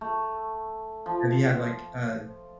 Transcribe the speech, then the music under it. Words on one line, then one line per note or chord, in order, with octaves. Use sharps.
Have you had, like, uh,
A3
F3